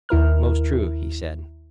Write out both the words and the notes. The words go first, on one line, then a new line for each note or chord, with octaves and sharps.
Most true, he said.
D#2 E4 A#4 F6